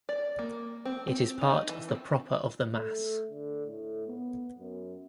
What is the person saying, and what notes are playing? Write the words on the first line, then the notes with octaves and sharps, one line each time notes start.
It is part of the Proper of the Mass.
D5
A#3
C4
C4
D#4
E3
C4
A3
D3
A2
B3
F#2